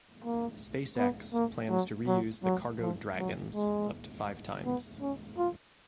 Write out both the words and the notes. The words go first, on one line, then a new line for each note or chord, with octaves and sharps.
SpaceX plans to reuse the Cargo Dragons up to five times.
A#3
B3
A#3
F#3
F#3
F#3
F3
F#3
G#3
B3
C#4
F4